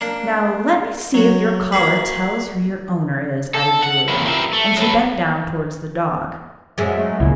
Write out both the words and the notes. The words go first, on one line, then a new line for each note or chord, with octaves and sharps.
"Now let me see if your collar tells who your owner is," added Julia, and she bent down towards the dog.
A#3 D4
F#3 F#4
A#3 F#4 G#4 B4
A4
F#5
A2 C3 E3 A#3 C#4 E4
F4 G4 A#4 B4 E5
A3
F#3 A4 B4
F#2 G#3 E5
A3
C#2 A#2 E4